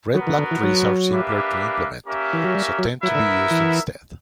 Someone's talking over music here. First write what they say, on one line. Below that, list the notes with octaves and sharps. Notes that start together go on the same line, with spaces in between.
Red-black trees are simpler to implement, so tend to be used instead.
F#3 B3 F#4 A#4
E3
D3
E3
F#3
A#3 D4 G4 B4 E5
A#3 C#4 G4 A#4 E5
E3
F#3
G3
F#3
F#3 B3 E4 A#4 E5
D3
E3